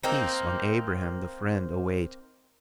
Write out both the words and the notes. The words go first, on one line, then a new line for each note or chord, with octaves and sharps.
Peace on Abraham the Friend await!
A#3 C4 D#4